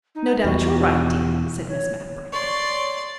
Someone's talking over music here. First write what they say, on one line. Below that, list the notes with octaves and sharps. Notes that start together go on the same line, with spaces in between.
"No doubt you're right, dear," said Miss Mapp brightly.
D#4
E2 B2 F#4
C#5
C#5 D5 C6